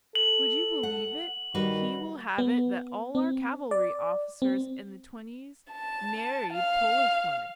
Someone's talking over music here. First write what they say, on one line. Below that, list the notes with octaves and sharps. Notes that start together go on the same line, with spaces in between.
Would you believe it, he will have it that all our cavalry officers in the twenties married Polish women.
A4 F#7
F#5
D#3 G3 F#4 B4
B3
C4
D5
C4
A5
F5